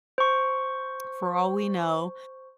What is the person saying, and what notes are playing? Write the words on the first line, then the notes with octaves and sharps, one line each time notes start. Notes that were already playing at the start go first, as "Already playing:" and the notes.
for all we know,
C5 C#6